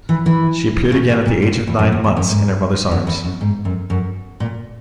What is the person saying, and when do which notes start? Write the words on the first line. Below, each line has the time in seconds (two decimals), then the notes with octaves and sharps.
She appeared again at the age of nine months in her mother's arms.
0.09 E3
0.26 E3
0.92 C#3
1.09 B2
1.26 A#2
1.42 G#2
1.67 E2
1.79 F#2
1.92 E2
2.04 E2
2.17 F#2
2.29 G#2
2.91 F#2
3.07 E2
3.24 F#2
3.41 G#2
3.65 F#2
3.90 F#2
4.40 A#2